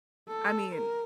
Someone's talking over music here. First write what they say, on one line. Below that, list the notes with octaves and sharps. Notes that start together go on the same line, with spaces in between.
I mean,
A4
A#4